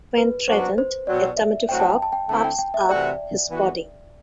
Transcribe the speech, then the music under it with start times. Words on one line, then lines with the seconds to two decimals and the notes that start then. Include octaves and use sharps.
When threatened, a tomato frog puffs up its body.
0.18 B4
0.47 F#2 F#3 B3 D4 F#4 C5
0.78 C5
1.07 B2 F#3 C4 D5
1.37 E5
1.69 A2 F#3 C4 F#4 G5
1.80 A5
1.90 G5
2.02 A5
2.12 G5
2.28 D3 A3 C4 E4 A5
2.44 G5
2.59 G5
2.74 E5
2.89 C3 E3 A3 C4 F#4 D5
3.49 E3 B3 F#4